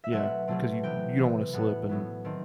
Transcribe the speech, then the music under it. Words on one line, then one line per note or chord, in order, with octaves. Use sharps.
Yeah, because you you don't wanna slip and
E5
B2 F#3 A3 C4 F#5
B2 F#3 A3 C4
C3 E3 B3 G5
C3 E3 B3
A2 F#3 B3 F#5
A2 F#3 B3
D#3 A3 C4